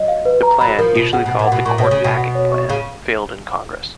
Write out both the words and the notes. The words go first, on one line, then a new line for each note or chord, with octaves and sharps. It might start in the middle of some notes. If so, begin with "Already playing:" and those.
The plan, usually called the "court-packing plan", failed in Congress.
Already playing: F#3 D#5
F5
B4
A#5
F#3 B5
F3 A#4
B2 F4
C#3 F#5
B2
F#5
A#2
B2 F#5
A#2 C#6
B2 C#5
C#3
B2 F#4
F#5
C#5
C#6
C#3 F5